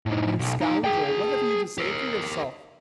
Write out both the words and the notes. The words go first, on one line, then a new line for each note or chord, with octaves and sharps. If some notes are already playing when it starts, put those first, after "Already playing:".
You scoundrel, what have you to say for yourself?
A2 D#4
B1
D#4 F5
G#4 G5
G4 A#4